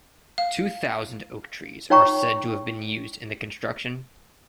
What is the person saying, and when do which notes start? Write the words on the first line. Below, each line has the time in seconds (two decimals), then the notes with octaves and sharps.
Two thousand oak trees are said to have been used in the construction.
0.38 F5
1.90 D#4 C#5 G5 A#5 C#6